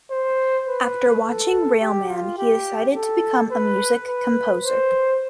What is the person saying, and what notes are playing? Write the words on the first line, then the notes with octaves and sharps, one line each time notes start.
After watching "Railman", he decided to become a music composer.
C5
B4
A4
G4
F4
G4
A4
B4
B4
C5